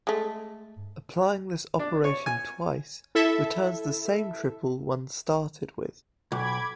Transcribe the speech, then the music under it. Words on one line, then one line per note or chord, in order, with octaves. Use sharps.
Applying this operation twice returns the same triple one started with.
G#3 A3
D4
C#5
G#5
E4 A4 E5
B1 B5 D6 G#6